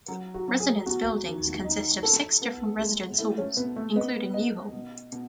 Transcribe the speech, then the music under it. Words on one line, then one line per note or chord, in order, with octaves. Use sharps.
Residence buildings consist of six different residence halls, including New Hall.
F#3
F#4
F#3
G#4
E2 F#4
D#3
D#4
A4
B3
G#3
A3 E4
C#4
B2 B3
A3
B3 D#5
D#5
B2
B2